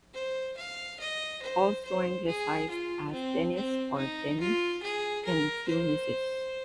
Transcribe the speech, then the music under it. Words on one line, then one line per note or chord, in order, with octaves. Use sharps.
Also anglicised as Dennis or Denis and Dionysius.
C5
F5
D#5
C5
C5
G#4
F4
C4
C4
D#4
F4
G#4
A#4
C5